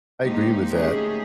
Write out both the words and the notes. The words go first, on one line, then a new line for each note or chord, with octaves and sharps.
I agree with that.
D3 G#3 A#3 D#4 G4 C5
A3 A#3 C#4 D#4 G4 G#4